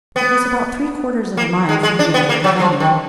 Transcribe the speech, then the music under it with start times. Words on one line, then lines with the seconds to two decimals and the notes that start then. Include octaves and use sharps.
It was about three-quarters of a mile from the edge of the venue.
0.16 B3
1.37 A#3
1.69 G#3
1.83 G#3
1.99 D4
2.14 B3
2.29 A#3
2.44 F#3
2.60 F3
2.80 D#3